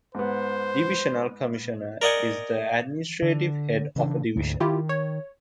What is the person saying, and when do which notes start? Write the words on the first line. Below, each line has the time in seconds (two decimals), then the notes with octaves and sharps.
Divisional Commissioner is the administrative head of a division.
0.15 G#2 B3 C5
2.02 A#4 D5 D#5 F#5 G#5
3.22 D3
3.96 C#3 E3 D4
4.37 D2 G#2
4.60 D#3 E4 F4 G4
4.89 C#5